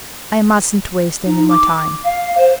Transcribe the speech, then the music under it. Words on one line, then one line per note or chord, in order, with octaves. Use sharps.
I mustn't waste any more time.
D#4
D6
F5
C5